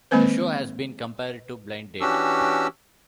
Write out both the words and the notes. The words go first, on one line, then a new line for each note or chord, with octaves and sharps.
The show has been compared to "Blind Date".
D#3 G#3 A#3 C4 B4 C5
E3 C#4 D4 F#4 G4 E6